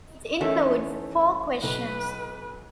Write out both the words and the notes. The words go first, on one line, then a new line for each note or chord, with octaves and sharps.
It includes four questions.
E2 E3 A3 C#4 D#4 A4 A#4
B1 B4